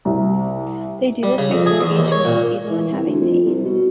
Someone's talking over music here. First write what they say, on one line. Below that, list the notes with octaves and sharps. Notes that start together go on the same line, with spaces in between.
They do this before each meal, even when having tea.
C2
G3
C#3
F2
G#4
E2
D#2
C#5
A#2
E3
C2
D2
F2
C2
B2